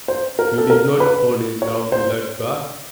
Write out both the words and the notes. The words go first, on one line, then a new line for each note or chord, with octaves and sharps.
"You did not fall in love with that girl?"
C5
A#4
A4
A#4
B4
C#5
C5